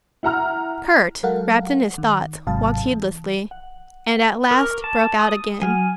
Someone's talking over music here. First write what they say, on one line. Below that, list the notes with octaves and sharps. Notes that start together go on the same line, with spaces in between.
Kurt, wrapped in his thoughts, walked heedlessly, and at last broke out again.
E4 F#5 A#5 F6
F#3 G#3 A4 A#4 F5 F#5
D#3
G#1 G#2 C3 F#3 F5 A5
E3
F#5
A#4 C#6 D6
A5
D#6
F#3 F#5 G#5 F6